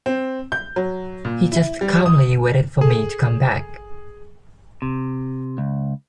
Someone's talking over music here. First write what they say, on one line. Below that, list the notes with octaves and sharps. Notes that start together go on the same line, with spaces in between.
He just calmly waited for me to come back.
C4
G6
F#3
A#2
E4
G3
D#6
G#4 A4
C3
C#2